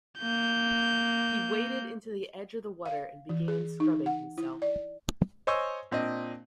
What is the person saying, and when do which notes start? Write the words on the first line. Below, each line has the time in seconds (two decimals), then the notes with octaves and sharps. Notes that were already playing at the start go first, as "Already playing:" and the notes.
He waded into the edge of the water and began scrubbing himself.
0.19 A#3 G6
2.86 F5
3.29 E3
3.48 G#4
3.80 D#4
4.06 F#5
4.38 E4
4.62 D5
5.47 C5 C#5 D#5 G#5 C#6 E6
5.91 A#2 C4 D4 D#5